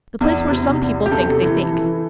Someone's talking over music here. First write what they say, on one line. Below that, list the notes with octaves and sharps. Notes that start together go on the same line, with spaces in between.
The place where some people think they think.
E2
C3
E2
G4
C3 A4
E3
E3